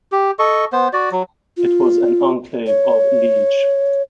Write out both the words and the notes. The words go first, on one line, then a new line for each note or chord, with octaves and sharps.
It was an enclave of Liege.
G4
A4 D#5 C#6
B3 C5
F#4 D5
F#3
F4
C#5